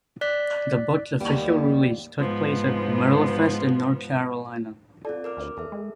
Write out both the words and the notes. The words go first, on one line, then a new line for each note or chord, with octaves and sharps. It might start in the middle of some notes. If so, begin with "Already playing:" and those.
The book's official release took place at Merlefest in North Carolina.
D5 F#6 B6
D#2 G3 B3 G4
G#2 F3 B3
C4 F4 A4 D5
A#4 D6 F6
D2
E2 A4 E5
G#3